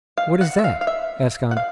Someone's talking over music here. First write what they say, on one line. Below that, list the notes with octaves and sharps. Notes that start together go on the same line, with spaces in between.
"What is that?" asked Andrea.
F5
F#5
E5
F5
F5
E5
F#5
F5